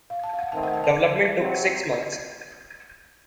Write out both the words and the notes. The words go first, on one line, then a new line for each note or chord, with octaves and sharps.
Development took six months.
F5
A5
F5
F#5
D#3 A3 C4 A5
F#5
A5
A5
C3 F#3 C4